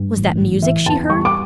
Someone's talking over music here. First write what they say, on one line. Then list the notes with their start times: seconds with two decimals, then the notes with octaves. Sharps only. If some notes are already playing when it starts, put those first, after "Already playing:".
Was that music she heard?
Already playing: G2
0.16 A1
0.40 A1
0.62 E3 E5
0.86 E2 A5
1.09 G3 C#6
1.25 D6